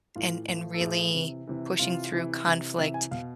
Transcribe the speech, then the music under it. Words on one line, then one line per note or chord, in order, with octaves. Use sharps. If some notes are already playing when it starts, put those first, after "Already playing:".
and and really pushing through conflict
A2 E3 F4
A2 F3
A4
A2 F3 G#4
C3 E3
C3 E3
C3 E3 F4
C3 E3
C3 E3
C3 E3 E5
G#5
B2 F5